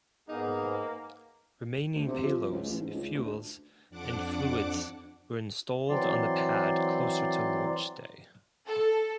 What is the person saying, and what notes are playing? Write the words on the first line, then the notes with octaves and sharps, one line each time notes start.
Remaining payloads, fuels and fluids were installed on the pad closer to launch day.
G#2 A#3 B3 D#4 G#4
D2
C3
F3
C#2
A1
G#2
C#2
D2
F2 D4 F#5 D6
E3 F#3 C4 D5 C6
A4